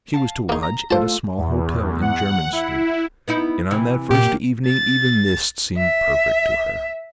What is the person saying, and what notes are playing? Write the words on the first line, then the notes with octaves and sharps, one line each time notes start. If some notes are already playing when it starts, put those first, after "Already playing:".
She was to lodge at a small hotel in Jermyn Street; and on that first evening even this seemed perfect to her.
F5 F#5 A5
A#3 D#4 G#4
A#5
A3 F4 A4 C5 A5
E2
F#5
E4
B3 D#4 E4
C3 E3
F#2 A#2 A#3 G4
A6
E5